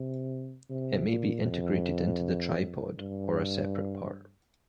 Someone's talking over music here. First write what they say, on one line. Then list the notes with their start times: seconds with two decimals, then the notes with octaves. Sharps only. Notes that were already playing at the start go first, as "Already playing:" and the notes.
It may be integrated into the tripod, or a separate part.
Already playing: C3
0.69 C3
1.07 A#2
1.45 F2
2.97 G2